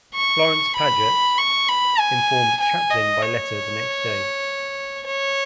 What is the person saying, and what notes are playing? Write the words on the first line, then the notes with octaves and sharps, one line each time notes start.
Florence Paget informed Chaplin by letter the next day.
C#6
B5
C#6
B5
G#5
G#5
D#5
C#5
C#5